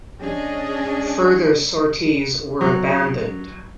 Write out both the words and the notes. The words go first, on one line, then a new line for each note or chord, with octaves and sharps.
Further sorties were abandoned.
C#4 D4 G#4 D#5
F#3